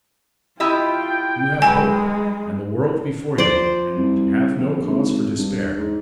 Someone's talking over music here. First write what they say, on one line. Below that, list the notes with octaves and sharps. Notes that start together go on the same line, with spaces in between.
You have hope, and the world before you, and have no cause for despair.
E4 F4 G4 D#5 G5
F#3 G#3 B4 G#5
F3 C5 D5
C2
A#1
G#1
G2
G#2